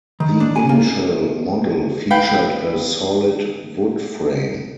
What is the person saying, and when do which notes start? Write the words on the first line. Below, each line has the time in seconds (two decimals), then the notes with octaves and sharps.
The initial model featured a solid wood frame.
0.20 D#3
0.40 D4
0.56 G#5
0.69 A#3
2.11 B4 F5 G5